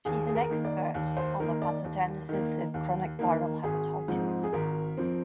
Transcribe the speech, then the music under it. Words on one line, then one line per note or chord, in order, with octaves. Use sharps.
She is an expert on the pathogenesis of chronic viral hepatitis.
D#2 G#4
G#4
A#4
D#3 A#3
D5
D#2
C5
D#3 A#3 A#4
D5
D#2
D#3 A#3
D#2
D#3 A#3
G#1 G#4
G#2 F3 C4
G#4
G#1 A#4
F3 C4